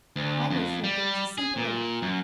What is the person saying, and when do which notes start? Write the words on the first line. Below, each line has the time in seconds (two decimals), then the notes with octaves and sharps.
My notion of things is simple enough.
0.16 D2
0.50 F2
0.84 G3
1.38 G#4
1.57 A#2
2.02 F#2